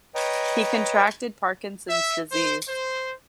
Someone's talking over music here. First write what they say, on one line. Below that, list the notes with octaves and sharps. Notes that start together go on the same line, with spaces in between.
He contracted Parkinson's disease.
B4 C#5 D#5 G5 A#5
E5
C5
C5